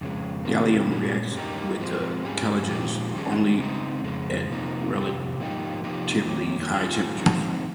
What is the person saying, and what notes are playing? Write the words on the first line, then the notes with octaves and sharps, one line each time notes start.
Gallium reacts with the chalcogens only at relatively high temperatures.
F2 C#3 G#3
C3 D#3 G3 A#3
A#2 G#3 C#4
G2 G3 A#3 D#4
F3 G#3 C4
G#2 G3 C#4 G#4
A#2 F3 G#3 D#4 G4
D#3 G3 C#4 G#4
C#3 G#3 C4 D#4
F2 C#3 G#3
F2 C3 F3 A#3 D#4
F2 C3 G3 C#4 G4
G#2 F3 A#3 D#4 G4
C3 F3 A#3 D#4 G4
F2 D#3 A#3 C#4
D#3 G3 C#4 F4 G#4
F3 G#3 C4 D#4 G#4